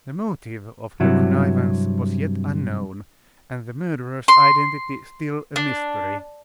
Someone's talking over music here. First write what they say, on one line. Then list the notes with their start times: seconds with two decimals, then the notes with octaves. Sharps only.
The motive of her connivance was yet unknown, and the murderer's identity still a mystery.
1.00 G2 C3 F#3 E4
4.28 C6
5.56 D4